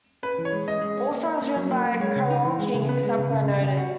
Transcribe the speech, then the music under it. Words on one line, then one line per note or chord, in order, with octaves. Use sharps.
All songs written by Carole King, except where noted.
C#4 B4
E3
C#5
G#3
C#4 D#5
G#3
C#4
A#3
C#4
A#3
F#3
A#3
A#3
G#3 C#5
C#3
D#4
E3
G#3
C#3
B3 B4
G#3
C#3
C#3
C#3
C#3
F#4